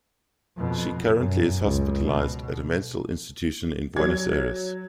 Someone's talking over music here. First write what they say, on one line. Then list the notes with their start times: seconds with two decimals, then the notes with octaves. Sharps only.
She currently is hospitalized at a mental institution in Buenos Aires.
0.57 F2 B2
1.19 F#2
1.60 C#2
2.05 B2
3.97 F#3 G#6